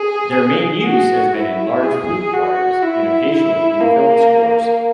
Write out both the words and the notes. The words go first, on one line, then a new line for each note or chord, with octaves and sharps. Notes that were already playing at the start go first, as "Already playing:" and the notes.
Their main use has been in large flute choirs and occasionally in film scores.
Already playing: G#4
F#4
E4
G#4
F#4
E4
E4
A#3